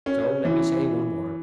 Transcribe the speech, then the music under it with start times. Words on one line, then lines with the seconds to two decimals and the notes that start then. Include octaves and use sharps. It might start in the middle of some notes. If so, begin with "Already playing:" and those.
So let me say one word.
0.06 C#4
0.45 E3